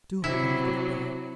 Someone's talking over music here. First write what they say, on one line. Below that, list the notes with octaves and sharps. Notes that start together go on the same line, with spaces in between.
Do have a mug of beer.
C3 F#3 E4